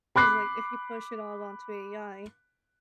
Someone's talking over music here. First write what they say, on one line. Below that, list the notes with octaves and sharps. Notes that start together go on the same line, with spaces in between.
'cause like if you push it all onto AI
B5 D6 F#6 C7